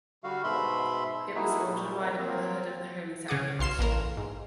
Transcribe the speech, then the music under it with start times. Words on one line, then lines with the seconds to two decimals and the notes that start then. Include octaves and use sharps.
It was ordered by the Brotherhood of the holy Sacrament.
0.24 D3 G3 F#4 F5
0.44 G#2 B2 E5 B5 C6
1.35 A3 A#3 D#4 E4 F#4 G#4
1.64 A#2 G3
1.99 C3 G3 A#3
2.17 F#3 A#3 C4
3.28 C#3 C#4 G#4 F#5 D6 D#6
3.59 B1 F5 C6 C7 E7
3.79 A1 A#3 A#4
4.17 G#2